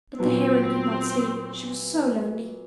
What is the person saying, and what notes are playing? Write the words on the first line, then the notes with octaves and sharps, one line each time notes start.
But the Heron could not sleep, she was so lonely.
A#2 F#3 B3 C4